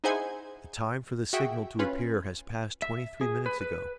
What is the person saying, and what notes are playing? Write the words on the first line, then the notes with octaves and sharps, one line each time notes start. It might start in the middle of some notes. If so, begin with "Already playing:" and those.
The time for the signal to appear has passed twenty-three minutes ago.
D#4 E4 G#4 C5 F#5 G#5
F#4 G#4 E5 G5
C#4 F4 B4
E5
G#4
B4
B4